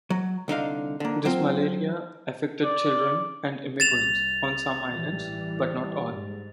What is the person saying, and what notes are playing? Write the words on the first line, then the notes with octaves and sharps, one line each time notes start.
This malaria affected children and immigrants on some islands but not all.
F#3
C2 D3 D#4 F5
D3 A#3
F#3 C4 F4
D5
C2 A6 E7 F7
A1 E3 G3
G#2